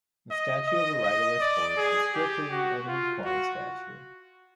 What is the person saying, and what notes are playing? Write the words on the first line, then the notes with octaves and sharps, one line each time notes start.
A statue of a riderless horse is strictly an "equine statue".
D#5
D#5
D#5
D5
G#4
G4
F#4
F4
F#4